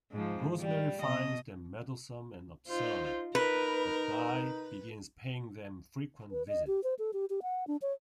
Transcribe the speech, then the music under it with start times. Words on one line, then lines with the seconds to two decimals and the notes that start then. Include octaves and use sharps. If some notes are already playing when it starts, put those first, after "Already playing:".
Rosemary finds them meddlesome and absurd, but Guy begins paying them frequent visits.
0.11 G#2 F3
0.60 G3
1.01 B2 D#5
2.68 D#4 F4 C5
3.35 D#4 A#4 B4
6.31 B4
6.48 D#5
6.67 G4
6.84 C5
6.99 A4
7.13 G4
7.30 G4
7.42 F#5
7.67 D4
7.82 C#5